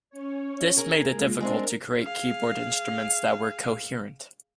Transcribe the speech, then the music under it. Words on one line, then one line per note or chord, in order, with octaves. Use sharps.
This made it difficult to create keyboard instruments that were 'coherent'.
C#4 C#5
G#4 A#4
G#3 A#3 F4
G#3 C4 D4 A#4
G#4 F5